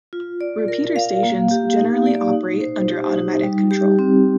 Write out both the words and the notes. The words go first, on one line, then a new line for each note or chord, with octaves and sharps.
Repeater stations generally operate under automatic control.
F4
D5
A#4
F5
A#3
G4
D#4
D5
D#4
C5
G4
D#4
G3
G4
C4